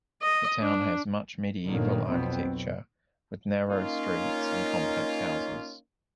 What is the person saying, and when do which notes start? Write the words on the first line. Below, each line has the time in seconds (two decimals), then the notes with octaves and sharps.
The town has much medieval architecture, with narrow streets and compact houses.
0.22 D#5
0.61 D4
1.67 G1 A#2 D3 D#3 F#3 A#3
2.09 B1 F2 B2 F#3 B3 C4
2.42 B2
3.68 A#3 C#4 D#4 F4